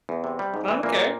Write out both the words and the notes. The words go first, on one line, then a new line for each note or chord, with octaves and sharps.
I don't care.
E2
C3
G3
G#2
E3
A#2 E3 A#3